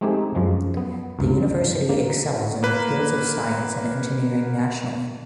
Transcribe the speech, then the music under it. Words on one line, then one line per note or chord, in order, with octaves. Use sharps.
The university excels in the fields of science and engineering nationally.
G#3 A3 C4 D#4 G4 G#4
F#2 F3 G#3
B3
C#2 G2
D3 A#3
A#3 B4